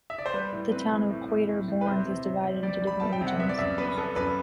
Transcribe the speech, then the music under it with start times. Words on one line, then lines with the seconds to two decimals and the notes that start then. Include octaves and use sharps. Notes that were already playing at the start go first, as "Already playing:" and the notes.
The town of Quatre Bornes is divided into different regions.
0.10 E5
0.18 D5
0.26 C5
0.34 G3 B4
0.53 A2
0.71 C4 B4
0.91 A2
1.09 A2
1.29 A2
1.49 A2
1.68 A2
1.81 B4
1.86 C3 C5
2.06 C3
2.25 C3
2.44 G3
2.63 G3 D5
2.82 G3 B5
3.00 G3 A5
3.13 G5
3.21 C3
3.27 F#5
3.39 B3 E5
3.49 D5
3.59 F#2 E5
3.78 B3 B4
3.97 B3 A4
4.16 F#2 B4